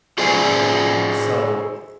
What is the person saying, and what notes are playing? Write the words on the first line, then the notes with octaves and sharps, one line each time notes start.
So, eh eh
F#4 G#4 C5 D5 E5 G#5